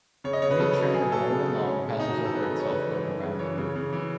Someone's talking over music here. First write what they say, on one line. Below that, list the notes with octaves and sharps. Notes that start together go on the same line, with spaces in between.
Any train of more than long passes over itself going around the loop.
C#3 C#5
D#5
C#3 C#5
B4
C#3 A4
F#3
C#3 G#4
F#3 A4
C#3
C#3
C#3 C#4
C#3
C#3 D#4
F#4
E3 G#4
A4
C#3 B4
C#3
C#5
C#3 B4
E3
E3
C#3
E3 C#5
C#3
C#3
E3